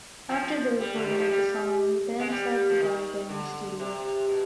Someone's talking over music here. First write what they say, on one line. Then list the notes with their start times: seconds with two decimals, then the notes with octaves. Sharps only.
After the recording of the song the band decided to buy their own studio.
0.29 F3
0.79 G3
0.94 D3
1.06 D#3
1.17 F3
1.29 G3
2.20 G#3
2.30 G3
2.69 F3
2.80 D#3
3.29 D3
3.80 C3
4.29 B2